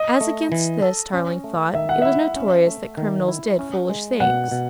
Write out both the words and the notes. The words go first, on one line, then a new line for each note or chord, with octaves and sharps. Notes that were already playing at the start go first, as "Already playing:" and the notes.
As against this, Tarling thought, it was notorious that criminals did foolish things.
Already playing: D#5
A3
E3
A4
C#4
A3
D#3 E5
F#5
E4 E5
C#4
A3
D#3
E4
C#4
G#3
B2 F#5
B2